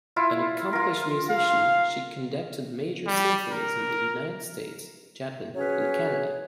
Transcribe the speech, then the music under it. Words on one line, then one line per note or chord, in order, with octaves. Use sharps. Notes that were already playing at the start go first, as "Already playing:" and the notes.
An accomplished musician, she conducted major symphonies in the United States, Japan, and Canada.
E4 F4
F4 A#4
F5
G3
A#4
F#3 C#4 G#4 B4 C#5